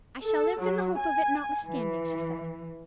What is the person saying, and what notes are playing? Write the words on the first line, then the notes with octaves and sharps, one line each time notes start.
"I shall live in the hope of it, notwithstanding," she said.
A4
F#3
G#5
E3